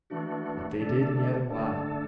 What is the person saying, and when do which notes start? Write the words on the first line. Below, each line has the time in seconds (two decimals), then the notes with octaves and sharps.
But they didn't yet a while.
0.10 E3 A3 D4 F#4
0.79 D3 A3 D4 A4
1.49 D3 A3 D4 A4